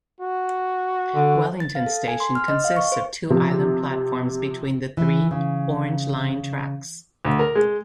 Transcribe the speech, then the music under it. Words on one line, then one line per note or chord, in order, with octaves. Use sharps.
Wellington station consists of two island platforms between the three Orange Line tracks.
F#4
D3
A6
F5
A4
G#5
C6
F6
D#5
F5
C#6
C5
C3 F3
E3
C#3
D2
A#4
G#3